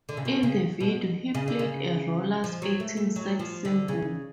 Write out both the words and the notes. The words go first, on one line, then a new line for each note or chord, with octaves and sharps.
In the video, he played a roller-skating sex symbol.
D3
C#3
B2
C#3
B2
C#3
D3
C#3
F3
F#3
A3
A3
F#3
F3
D3
C#3